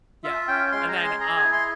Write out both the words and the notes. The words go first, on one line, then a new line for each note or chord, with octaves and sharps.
Yeah, and then, um
F4 E5
C#4 G5
G#3 C6
A#5
G#4
C6
G#4 A#5
G#5
E4
C6